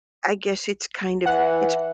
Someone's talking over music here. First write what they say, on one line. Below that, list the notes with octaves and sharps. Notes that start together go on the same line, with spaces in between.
I guess it's kind of, it's
E3 F#5